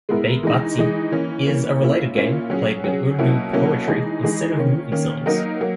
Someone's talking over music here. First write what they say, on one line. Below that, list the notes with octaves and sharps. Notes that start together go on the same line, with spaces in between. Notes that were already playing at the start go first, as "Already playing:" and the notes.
Bait Bazi is a related game played with Urdu poetry instead of movie songs.
G#3 B3 E4 A#4
E3 G#3 D#4
E3 G#3 D#4
E3 A#3 C#4
E3 A#3 C#4
A#2 A#3 C#4 E4
A#2 A#3 C#4 E4
F#3 C#4 G#4
F#3 C#4 G#4
B2 F#3 A#3 C#4 E4
B2 F#3 A#3 C#4 E4
E3 G#3 D#4 G#4
E3 G#3 D#4 G#4
D#3 A#3 C#4
D#3 A#3 C#4
F#3 A#3 D#4 A#4
F#3 A#3